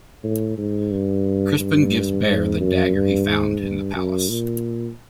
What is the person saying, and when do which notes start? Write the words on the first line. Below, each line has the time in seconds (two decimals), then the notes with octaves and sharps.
Crispin gives Bear the dagger he found in the palace.
0.24 A2
0.58 G#2
0.91 G2
1.59 G2
2.26 G#2
2.60 F#2
2.94 G2
3.27 G#2
3.61 G2
3.95 F#2
4.29 A#2